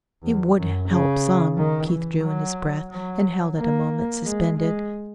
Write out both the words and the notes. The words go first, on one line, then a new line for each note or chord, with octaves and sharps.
"It would--help some." Keith drew in his breath and held it a moment suspended.
E2
F#2
C#3
D#3
E3
F#3
F#3
A#3
G#3
G#3